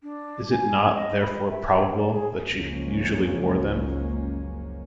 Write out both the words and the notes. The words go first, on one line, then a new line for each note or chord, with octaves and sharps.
Is it not, therefore, probable that she usually wore them?
D4
G#5
D#5
B5
E5
C#5
D5
G#4
F#1 C#2 F3 G#3 A#3 C#4